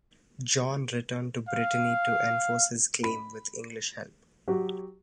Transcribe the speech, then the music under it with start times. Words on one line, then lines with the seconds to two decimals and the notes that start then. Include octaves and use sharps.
John returned to Brittany to enforce his claim, with English help.
1.49 F5
3.03 B5
4.48 F#3 F#4 G4